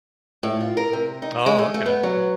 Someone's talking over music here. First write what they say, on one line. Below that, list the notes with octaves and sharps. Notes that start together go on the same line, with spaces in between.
Oh, okay.
A2
F4
A#4
C3
D#4
G#3
A3
A3
B3
F#3